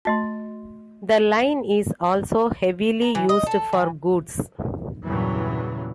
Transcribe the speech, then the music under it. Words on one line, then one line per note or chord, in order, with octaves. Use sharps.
The line is also heavily used for goods.
A3 F#4 D#5 A5 C6
A#5
E3
D#5
A4
E3
E2 G2 A#2 C#3 E3 F#3